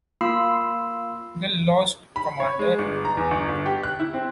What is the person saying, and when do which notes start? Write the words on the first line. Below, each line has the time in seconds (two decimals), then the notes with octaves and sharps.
"The Lost Commander".
0.21 A#3 F4 B5 E6 C7
2.16 B5
2.40 C#5
2.59 G#3
2.78 G1
3.05 A#5
3.17 E2
3.31 G1
3.49 G1
3.66 G4
3.83 F#6
4.00 E4
4.14 C4